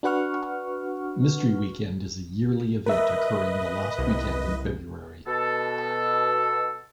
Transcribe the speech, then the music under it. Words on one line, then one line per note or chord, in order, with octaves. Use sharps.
Mystery Weekend is a yearly event occurring the last weekend in February.
D4 F#4 B4 F#5 C#6 F6
A#4 B4 D#5 E5
C2
B2 A4